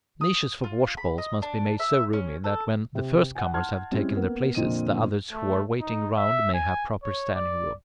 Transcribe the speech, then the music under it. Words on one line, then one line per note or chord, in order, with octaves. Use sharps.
Niches for washbowls must be made so roomy that when the first comers have taken their places, the others who are waiting round may have proper standing room.
D#6
F4
B5
D#5
D4
E5
C#4
A4
C3
F#5 G#5
F#5 A5 C6 F6 G#6
G3 G#3 C4 C#4 E4 G4
A#3 B3
F2 A#2 D3 D#5 D#7
A3
D#4
E5
G#5
C#5
D5